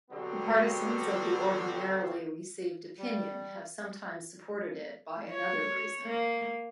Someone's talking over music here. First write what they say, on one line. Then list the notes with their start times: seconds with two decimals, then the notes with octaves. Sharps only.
The partisans of the ordinarily received opinion have sometimes supported it by another reason.
0.11 B2 D3 F#3 G3 B3 C4
2.98 G3
5.30 C#5
6.05 A#3